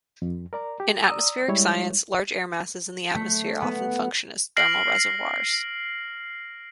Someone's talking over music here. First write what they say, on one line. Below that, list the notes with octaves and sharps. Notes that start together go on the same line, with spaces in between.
In atmospheric science, large air masses in the atmosphere often function as thermal reservoirs.
F2
A#4 D5 A#5
G4
D5 A#5 D#6 E6
G3 G#3 E4 C#5
A3
B3
F6 A#6 C7 D7 F#7